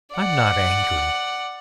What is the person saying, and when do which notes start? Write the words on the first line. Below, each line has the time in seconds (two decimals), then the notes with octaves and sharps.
I am not angry.
0.15 D5 F#5